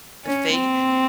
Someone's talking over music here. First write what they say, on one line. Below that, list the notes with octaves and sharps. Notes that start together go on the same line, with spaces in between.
if they
C#4
C4